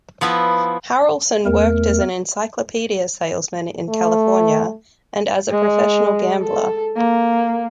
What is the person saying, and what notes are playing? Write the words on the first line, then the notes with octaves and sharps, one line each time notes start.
Harrelson worked as an encyclopedia salesman in California and as a professional gambler.
F3 B3 E4
E2 A3 A#4
A3
G#3
A4
A#3